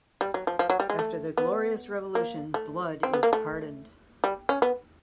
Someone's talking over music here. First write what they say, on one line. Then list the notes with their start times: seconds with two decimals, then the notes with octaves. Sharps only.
After the Glorious Revolution, Blood is pardoned.
0.21 G3
0.34 F#3
0.47 F3
0.59 F3
0.70 F#3
0.80 G3
0.90 G#3
0.99 A3
1.37 B3
2.15 A#3
2.54 A3
3.03 C4
3.13 B3
3.23 A#3
3.33 A3
4.24 G3
4.49 C#4
4.62 B3